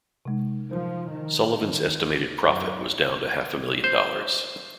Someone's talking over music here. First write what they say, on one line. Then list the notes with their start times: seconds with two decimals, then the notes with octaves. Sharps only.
Sullivan's estimated profit was down to half a million dollars.
0.25 C3 G#3 D#4
0.69 F3 D#4 A#4 C5
1.09 D#3
2.43 F#2
3.84 C5